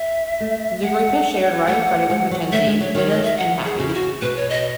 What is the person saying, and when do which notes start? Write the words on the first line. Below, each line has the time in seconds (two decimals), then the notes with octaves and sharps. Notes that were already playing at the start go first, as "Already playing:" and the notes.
The group has shared writing credit with MacKenzie, Winters and Happy.
Already playing: E5
0.40 A3
0.83 G#3 F#5
1.67 A3 F#5
2.10 G#3
2.31 F#3
2.52 A3 E5
2.67 G#3
2.80 F#3 C#5
2.95 D#3 C#5
3.09 D#5
3.23 E5
3.37 F#5
3.65 G#4
3.79 C#3 F#4
3.88 E4
3.94 F#4
4.22 B2 B4
4.36 C#5
4.50 D#5